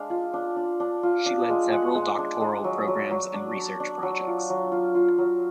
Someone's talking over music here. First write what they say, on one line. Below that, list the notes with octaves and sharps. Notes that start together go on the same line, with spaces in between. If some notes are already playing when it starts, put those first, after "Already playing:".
She led several doctoral programmes and research projects.
Already playing: G#3 D4 F5
F4
D4
D4
D4
F4
D4
G#3
G#3 F#5
G#3
D4
G#3
F#3
F#3
F#3
D4
D4
D4
F#3
F4
F#3
F4
F4
F#3